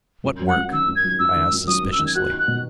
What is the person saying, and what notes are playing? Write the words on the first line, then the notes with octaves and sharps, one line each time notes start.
"What work?" I asked suspiciously.
F#2
F#3
F#5
F#2
D#3 E6
F#2
G#6
F#3
F#2 E6
D#3
F#2
F#3 D#6
F#2
E6
D#3
G#6
F#4 F#6
D#4
F#6
B2